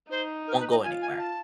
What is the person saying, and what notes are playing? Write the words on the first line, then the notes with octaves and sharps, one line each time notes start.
won't go anywhere,
D#4 C5
A#4
B4
D#5
F4 G#5
G#5
A5